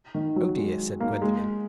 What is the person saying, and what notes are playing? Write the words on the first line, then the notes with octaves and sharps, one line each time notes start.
"Oh dear!" said Gwendolen.
D#3
F#3
G#3
A#3
G#3